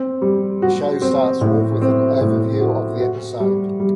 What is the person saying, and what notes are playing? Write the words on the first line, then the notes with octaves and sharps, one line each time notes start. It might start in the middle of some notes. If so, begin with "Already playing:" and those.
The show starts off with an overview of the episode.
Already playing: C4
G3
F#4
C4
A2
C4
A2
F#4
F#4
G3
G3